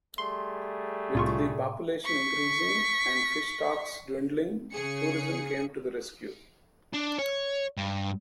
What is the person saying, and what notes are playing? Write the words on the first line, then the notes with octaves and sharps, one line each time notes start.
With the population increasing and fish stocks dwindling, tourism came to the rescue.
G3 A3 G#4 C6
C2 A2 C3 F4 C#6
C#6 B6
C#3 G#4 C#7
D4
C#5
G2